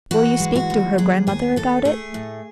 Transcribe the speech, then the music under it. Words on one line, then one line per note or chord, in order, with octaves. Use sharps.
Will you speak to her grandmother about it?
E3 F#4
G#3
F#4
D#2
F#3 G#4
D#2 G#4
D#2 A4
A3 G#4
A2